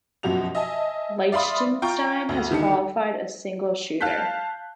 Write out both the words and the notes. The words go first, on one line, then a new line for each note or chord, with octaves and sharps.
Liechtenstein has qualified a single shooter.
F#2 B2 F3 F#4 G4 F7
D#5 E5 G#5 A5
D5 E5 F5 B5 C6 D#6
F4 G5 A#5 C#6
D2
D3 D#3 G4 A5 C#7
F5 A5 F#6 G6 B6